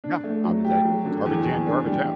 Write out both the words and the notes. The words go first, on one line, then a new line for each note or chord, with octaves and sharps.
Yeah, I mean, they "Garbage in, garbage out."
D4
A3
F#3
G4
F#3
D3
E2
E2
D4
G3